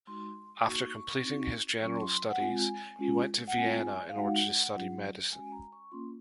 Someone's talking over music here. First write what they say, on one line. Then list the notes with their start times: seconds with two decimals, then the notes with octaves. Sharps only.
After completing his general studies he went to Vienna in order to study medicine.
0.07 G#3 D#4 F#4 C6
0.65 A#3 D#4 F#4 C#6
1.24 C4 D#4 F#4
1.82 F#3 C#4 F4 C#6
2.02 C6
2.31 F#5
2.40 G#3 C4 F4 G#5
2.99 G#3 C#4 F4
3.48 F#5
3.57 G#3 C4 F4 G#5
4.09 F5
4.16 G#3 D#4 F#4 F#5
4.74 F#3 C#4 F4
5.33 G#3 C#4 F#4 G#5
5.52 A#5
5.72 C#6
5.91 A#3 C#4 F4 C6